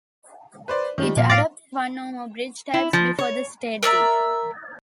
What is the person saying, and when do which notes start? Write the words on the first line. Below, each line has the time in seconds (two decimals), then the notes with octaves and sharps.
It adopted one or more bridge types before the state did.
0.68 B4 C5 D5
0.98 D#3 F3 G3
1.17 F2 A#2 A#3 F5
1.30 A2 D5 F5 A#6
2.74 E4
2.93 F3
3.19 C#5
3.83 A#4 D5 E5 A#5